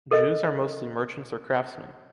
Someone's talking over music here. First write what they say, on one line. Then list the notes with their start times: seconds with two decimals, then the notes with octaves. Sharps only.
Jews are mostly merchants or craftsmen.
0.11 A4 A#4 D#5